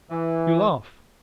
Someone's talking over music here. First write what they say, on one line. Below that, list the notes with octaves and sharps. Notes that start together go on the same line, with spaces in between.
You laugh!
E3